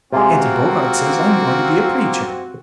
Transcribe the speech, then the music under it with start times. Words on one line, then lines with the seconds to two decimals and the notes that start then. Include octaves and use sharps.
Auntie Bogart says I'm going to be a preacher.
0.13 C3 G#3 A#3 C4 F4 F#4